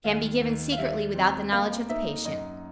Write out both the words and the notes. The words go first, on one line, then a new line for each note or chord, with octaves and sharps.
Can be given Secretly without the knowledge of the patient.
D#2 F5
D#2
F5
G3 E5
C4
A#3 F5
D#4 E5
F#2 D#5